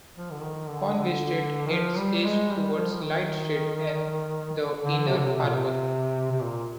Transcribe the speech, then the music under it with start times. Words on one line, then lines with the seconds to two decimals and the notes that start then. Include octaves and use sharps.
Conway Street heads east toward Light Street and the Inner Harbor.
0.16 F3
0.32 D3
0.41 D#3
0.68 D3
0.94 D3
1.66 D#3
1.71 F3
1.98 G3
2.16 G3
2.24 G#3
2.49 G3
2.75 F3
2.93 F3
3.01 D#3
4.84 D3
5.10 C3
5.17 D3
5.24 C3
5.36 C3
5.44 A#2
5.53 C3
6.32 C3
6.40 A#2